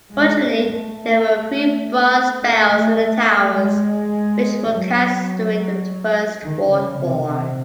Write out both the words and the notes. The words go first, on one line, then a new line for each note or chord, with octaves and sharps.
Originally there were three bronze bells in the towers, which were cast during the First World War.
G#3
A3
A3
A3
A3
G#3
F#3
D#3
C#3
C3
C3